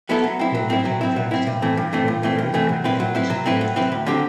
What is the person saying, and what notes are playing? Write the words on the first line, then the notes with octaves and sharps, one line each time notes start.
They became friends and met regularly to play music together.
F#3 B3 E4 A4
F#3
C4 E4
F#3
C4 E4
F#3
C4 E4
F#3
C4 E4
G2
E3 A3 C4
G2
E3 A3 C4
G2
E3 A3 C4
G2
E3 A3 C4
F#3
C4 E4 B4
F#3
C4 E4 B4
F#3
C4 E4 B4
F#3
C4 E4 B4
D2
D3 F#3 C4 G4